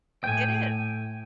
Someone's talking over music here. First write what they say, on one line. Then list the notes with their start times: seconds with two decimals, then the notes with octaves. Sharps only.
It is.
0.24 A2 G5 G#5